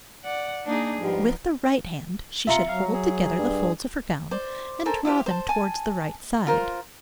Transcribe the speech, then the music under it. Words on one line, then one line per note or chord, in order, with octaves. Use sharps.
With the right hand she should hold together the folds of her gown, and draw them towards the right side.
D5 F#5
A#3 D4 D#4 G#4
G#2 F3 G3 B3 G4 A#4
F4 E5 A#5 C#7
F#3 F5
G#4
G2
C5 D5
A4 A#4 C5 G#5
E4 F4 G4 C5
C5 A5
G#5 A5
F4 A#4 C5